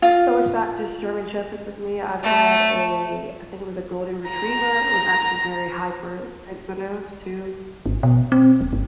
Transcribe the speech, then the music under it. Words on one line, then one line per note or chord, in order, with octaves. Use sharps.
So, it's not just German Shepherds with me. I've had a I think it was a golden retriever. It was actually very hypersensitive too.
F4
A3
A#5
G#1
B2
C4
D#1
G1